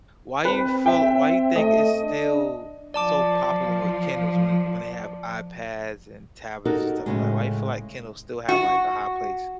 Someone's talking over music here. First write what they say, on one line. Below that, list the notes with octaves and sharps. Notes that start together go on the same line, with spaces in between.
Why you feel why you think it's still so popular with Kindles when it when they have iPads and tablets and stuff li why you feel like Kindle still have, like, a high place?
C4 B4 C5
E5 G5
A3 D#5
D4
F3 D5 A5 D6
D#4 F#4 G4 A4 A#4
A2 C#3 G#3
F#4